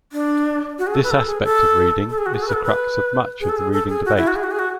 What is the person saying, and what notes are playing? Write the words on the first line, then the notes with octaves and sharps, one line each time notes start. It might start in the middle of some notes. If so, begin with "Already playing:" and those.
This aspect of reading is the crux of much of the reading debate.
D4
F#4
G#4
A4
B4
A4
G#4
A4
A4
G#4
F#4
G#4
A4
B4
A4
B4
G#4
A4
G#4
A4
G#4
F#4
E4
F#4
G#4
F#4
G#4
F#4